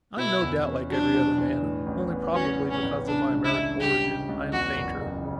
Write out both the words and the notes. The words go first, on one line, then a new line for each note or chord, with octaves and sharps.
I am no doubt like every other man; only, probably because of my American origin I am fainter.
B2 E4
E2
C#4
F#3 D4
B2
E2
A2
A1
B3
F#3 C#4
A2
C#4
A1
C#3 D4
C#2
E4
D4
G3 G4
C#3
C#2
E2 F#4
F#1
F#1
C#3